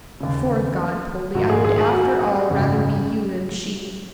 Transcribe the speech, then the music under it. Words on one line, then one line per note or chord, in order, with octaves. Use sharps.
Before God, Poldie, I would after all rather be you than she.
D#2 C#3
A#1 G#2 D#3 F#4
G#4
G#4
G#4
F#4
G#1 F#2 C#3